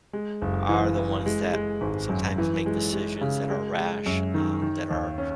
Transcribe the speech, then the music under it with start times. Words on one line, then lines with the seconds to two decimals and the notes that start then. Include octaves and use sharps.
are the ones that sometimes, make, decisions that are rash, um, that are,
0.13 G#3
0.42 F#1
0.69 E3
0.97 E3
1.26 G#3
1.53 G#3
1.81 G#1
2.09 F#2
2.38 E3
2.66 G#3
2.93 G#3
3.21 C#3
3.50 G#3
3.78 G#3
4.06 F#2
4.34 D#3
4.62 D#3
4.91 D#2
5.18 C#4